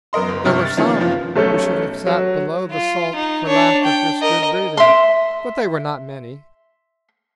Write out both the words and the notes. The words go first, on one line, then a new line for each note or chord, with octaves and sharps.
There were some who should have sat below the salt for lack of this good breeding; but they were not many.
F#2 B3 A#4 D#5 C6
F#1
G2 C3 C#6 F6
A6
C3 D#3 F3 A#3 B3 C#4
F#1 F3 F4
B1 A3 C#4 A4 G6
F#3
F4
D#4
D4 C#5
G5
A#4 D#5
E5 C6